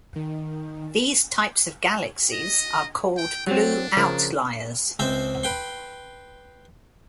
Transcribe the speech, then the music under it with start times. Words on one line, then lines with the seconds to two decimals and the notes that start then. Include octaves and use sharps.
These types of galaxies are called "blue outliers".
0.16 D#3
2.33 D#5
3.17 G5
3.47 F#3 C4 D4
3.97 C#3 F3 A#4
4.99 C#2 C4 C5 E5
5.43 B4 G5 C6